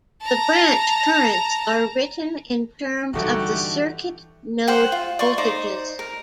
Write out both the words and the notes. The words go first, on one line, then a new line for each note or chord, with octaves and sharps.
The branch currents are written in terms of the circuit node voltages.
A5 A#5
G2 D3 E3 A3 D#4 F#4 G4
C5 F#5 G5
F4
D5 C6 C#6
D#4 C5 D5 A#5
A#4